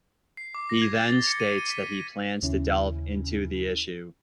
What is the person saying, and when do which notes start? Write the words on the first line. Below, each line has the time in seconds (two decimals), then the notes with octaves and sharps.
He then states that he plans to delve into the issue.
0.37 C7
0.54 D6
0.70 A#6
0.82 G#6
0.95 A6
1.12 G7
1.27 C#7
1.40 D#7
1.58 D#7
1.70 B6
1.92 D#7
2.43 D#2 C#3 C#4 E4